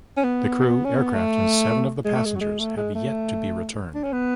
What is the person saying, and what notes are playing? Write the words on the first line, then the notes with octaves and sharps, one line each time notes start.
The crew, aircraft, and seven of the passengers have yet to be returned.
C#4
B3
C#4
B3
A3
G#3
A3
G#3
F#3
G#3
A3
G#3
A3
D4
C#4
B3